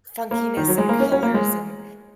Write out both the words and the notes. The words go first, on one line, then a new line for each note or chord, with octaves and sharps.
funkiness and colors, and
A#3
D#3
F#3
G#3
A#3
C#4
C#4
A#3
G#3